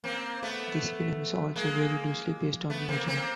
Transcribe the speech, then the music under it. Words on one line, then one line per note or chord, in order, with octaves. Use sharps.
This film is also very loosely based on the original.
A#3 C4
A3 B3
G#3 A#3
A3 B3
A#3 C4
A#3 C4